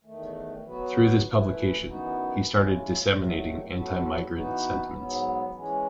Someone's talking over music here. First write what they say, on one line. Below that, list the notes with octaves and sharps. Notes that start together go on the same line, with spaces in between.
Through this publication, he started disseminating anti-migrant sentiments.
E2 D#3 A3
F#3 B3 F#4 B4
E3 A3 E4 B4
F#2 E3 B3 D#4 F#4
D#2 C#3 G#3 C#4 E4
E2 D#3 F#3 A3
A2 F#3 B3 F#4 A4
E3 B3 D#4 F#4 B4
G#2 F#3 B3
E3 G#3 C#4